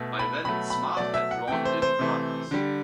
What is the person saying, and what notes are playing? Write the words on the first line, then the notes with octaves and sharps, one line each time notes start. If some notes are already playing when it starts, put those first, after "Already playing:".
By then, Smart had drawn in partners.
Already playing: B2 A3
B5
B2 F#3 A3 B5
B5
B2 F#3 A3 D5
E5
F#5
C3 E3 A3 G5
C5
C5
C3 E3 A3
D3 G3